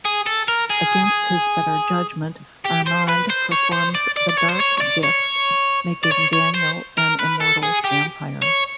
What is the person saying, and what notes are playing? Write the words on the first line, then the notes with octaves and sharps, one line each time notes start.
Against his better judgment, Armand performs the Dark Gift, making Daniel an immortal vampire.
G#4
A4
A#4
G#4
G4
C5
B4
C5
C#5
C5
D5
D5
D5
C#5
C5
C#5
C#5
D5
C#5
D5
C#5
C#5
C5
A#4
B4
A4
G#4
G4
C#5